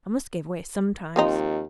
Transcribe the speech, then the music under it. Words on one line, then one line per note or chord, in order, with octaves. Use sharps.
I must give way sometimes.
D#2 F3 C4 D#4